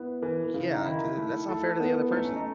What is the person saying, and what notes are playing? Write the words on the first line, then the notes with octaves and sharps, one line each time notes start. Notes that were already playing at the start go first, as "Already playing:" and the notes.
Yeah, 'cau uh that's unfair to the other person.
Already playing: B3 E4
E3
C#3
D#4
D#3 E4
A3
A4
B3
A3 D#4
C#4
D#4